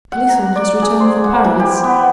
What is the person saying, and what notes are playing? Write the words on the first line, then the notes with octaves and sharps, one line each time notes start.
"Pelisson has returned from Paris."
F#5
A#5
D5
G#4
C5
F#5
E3
G4
B3